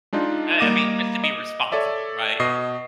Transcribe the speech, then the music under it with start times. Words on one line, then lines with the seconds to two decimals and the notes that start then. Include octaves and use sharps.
b I I mean, just to be responsible, right?
0.13 G#3 D4 D#4 F4
0.59 G3 A#3 D#5 D6 A#6 D#7
1.23 D#5
1.72 A4 C#5 D5 E5
2.40 B2 D#5 C#6 C7